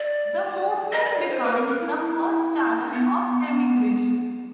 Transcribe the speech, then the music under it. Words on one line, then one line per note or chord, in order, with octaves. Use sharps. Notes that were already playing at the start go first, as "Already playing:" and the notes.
The movement becomes the first channel of emigration.
Already playing: D5
D#5
D5
C#5
C5
B4
A#4
A#4
E4
B3
B3